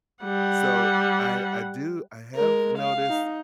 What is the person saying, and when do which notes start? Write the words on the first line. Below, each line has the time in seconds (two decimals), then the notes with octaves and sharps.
so I I do I have noticed
0.24 G3 F#5
2.35 G#3 A#4
2.78 F5
3.08 D#4